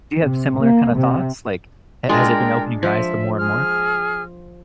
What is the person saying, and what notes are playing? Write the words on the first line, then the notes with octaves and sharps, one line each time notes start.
Do you have similar kind of thoughts? Like, ha has it been opening your eyes to more and more?
C3
A#3
C3
G#3 D4 F4 A#4 G5
F3 E5
G#4 F6